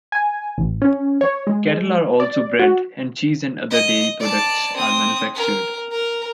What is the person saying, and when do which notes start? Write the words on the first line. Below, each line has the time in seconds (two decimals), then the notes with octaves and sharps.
Cattle are also bred and cheese and other dairy products are manufactured.
0.12 G#5
0.58 A1
0.82 C#4
1.21 C#5
1.47 G#3
2.20 D5
2.59 F#4
3.71 D#5
4.20 D5 A5
4.77 C4 D#6
5.35 A#4
5.91 A#4